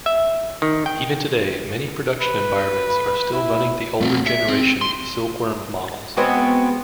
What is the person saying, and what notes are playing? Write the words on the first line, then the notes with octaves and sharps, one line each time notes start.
Even today, many production environments are still running the older generation Silkworm models.
E5
D#3
G5
B4
E4
A3 C4
E5
C4
C6
G#3 B3 C4 F#4